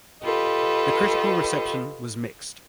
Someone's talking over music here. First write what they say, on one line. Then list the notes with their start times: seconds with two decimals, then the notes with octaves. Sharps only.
The critical reception was mixed.
0.22 F4 G4 A4 B4 D#5